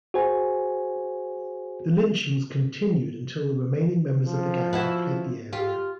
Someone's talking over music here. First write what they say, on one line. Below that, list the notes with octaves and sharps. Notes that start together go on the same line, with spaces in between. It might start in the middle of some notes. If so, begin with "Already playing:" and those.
The lynchings continued until the remaining members of the gang had fled the area.
F#4 G#4 C5 G#5
F3
E4 F#4 B4
F4 G4